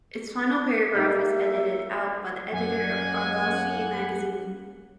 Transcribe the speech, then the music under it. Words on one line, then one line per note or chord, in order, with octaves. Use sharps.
Its final paragraph was edited out by the editor of" Argosy" magazine.
A#3 D#4 G4 E5
F#2 A#3 C#4 F#5 G#5